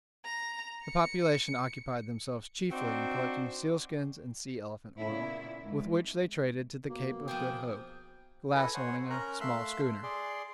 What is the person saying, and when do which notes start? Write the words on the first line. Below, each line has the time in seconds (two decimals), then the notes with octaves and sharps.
The population occupied themselves chiefly in collecting sealskins and sea elephant oil, with which they traded to the Cape of Good Hope, Glass owning a small schooner.
0.25 A#5
0.85 C#7
2.71 C4 D4 D#4 F#4 C5
5.00 A#2 C#3 B3 E4
5.64 G#2
6.89 B2 A#3
7.28 F3 E4 G#4 G5
8.55 E4 A4 B4 D#5 G#5 D#6
8.74 C5 C#5 F#5 G#5
9.10 C#4 A#4 A#5 F#6
9.41 A3 E5 F5 C6 E6 F#6
10.03 G#4 D5 C6